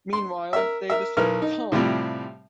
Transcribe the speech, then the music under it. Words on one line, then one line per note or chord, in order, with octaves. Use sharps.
Meanwhile, Davis looked calm.
C6
A#4 E5
A#4 E5
B1 E4 A#4 B4 F6
D#4
A2 C3 F3 G3 C4